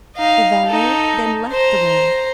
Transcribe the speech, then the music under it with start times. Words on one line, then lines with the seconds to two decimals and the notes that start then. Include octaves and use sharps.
The valet then left the room.
0.17 D#4 F5
0.66 D#4 A4
1.52 C5 A#5